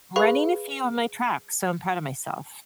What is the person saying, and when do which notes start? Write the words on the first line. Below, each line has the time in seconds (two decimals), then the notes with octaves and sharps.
running a few on my track, so, I'm proud of myself.
0.16 G#4 B4 F5 B5 C#6